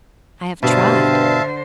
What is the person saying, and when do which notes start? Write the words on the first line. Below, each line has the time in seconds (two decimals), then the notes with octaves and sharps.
I have tried.
0.63 G2 B2 D3 C5 E5 F5 A5